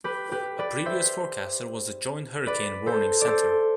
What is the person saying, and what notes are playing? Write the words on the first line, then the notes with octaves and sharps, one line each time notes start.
A previous forecaster was the Joint Hurricane Warning Center.
G4 B4
G4 B4
B4 D5
C5 E5
B4 D5
A4 C5
D5
A4 C5